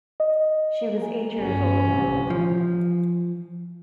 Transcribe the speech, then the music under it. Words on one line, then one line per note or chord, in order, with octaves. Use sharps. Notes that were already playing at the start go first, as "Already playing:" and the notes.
She was eight years old at the time.
D#5
A#3 G#5
G1 C#4
A1 C3 G3
F3